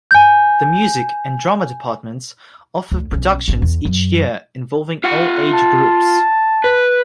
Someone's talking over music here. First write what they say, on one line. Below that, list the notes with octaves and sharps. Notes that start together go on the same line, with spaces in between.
The Music and Drama departments offer productions each year involving all age groups.
G#5 G6
D2
B1 C#4
G#1 C#4
E2
F#2
F4 F#5
A5
B4